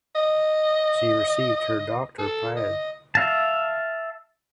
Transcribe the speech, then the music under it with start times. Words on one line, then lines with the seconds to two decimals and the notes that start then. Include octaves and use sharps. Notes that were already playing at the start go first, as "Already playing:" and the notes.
She received her Doctor paed.
0.16 D#5
2.19 A4
2.56 D#5
3.15 E5 F5 A5